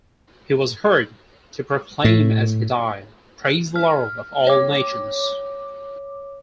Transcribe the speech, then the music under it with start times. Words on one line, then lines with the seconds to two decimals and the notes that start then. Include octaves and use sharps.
He was heard to proclaim as he died, Praise the Lord of all nations!
2.04 A2
3.76 F6
4.47 C#5 D6